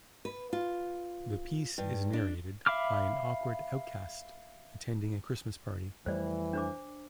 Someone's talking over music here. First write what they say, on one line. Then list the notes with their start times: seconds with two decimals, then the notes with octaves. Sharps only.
The piece is narrated by an awkward outcast attending a Christmas party.
0.25 B4
0.53 F4
1.78 G2
2.13 D4
2.66 E5 F5 B5 D6 F6
6.06 F2 E3 G3 A3 C5 D5
6.53 D4 C5 D6